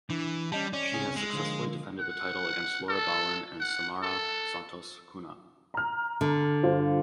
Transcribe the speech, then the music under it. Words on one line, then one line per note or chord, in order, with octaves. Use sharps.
She has successfully defended the title against Laura Balin and Samara Santos Cunha.
E3 D4
G3 C#4 D#5 A5
C#4 D5
C#2 C3 G#4
G#3
D3 F3 A#3
F#5
A4
F#5
A4
A#5 F6
D3
G2 F4 C5